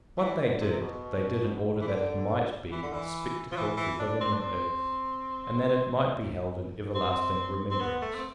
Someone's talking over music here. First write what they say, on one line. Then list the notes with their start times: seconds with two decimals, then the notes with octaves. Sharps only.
What they did they did in order that it might be a spectacle to heaven and earth, and that it might be held in everlasting remembrance.
0.17 E3
0.39 D3
0.60 C3
0.72 C3
0.81 B2
1.81 E3
1.87 D3
2.71 E3
2.83 D3
2.93 E3
3.52 F3
3.57 E3
3.77 E3
3.99 D4
4.21 C4
4.33 D4
4.41 C4
6.95 C4
7.71 C4
7.81 B3
8.02 A3
8.15 C4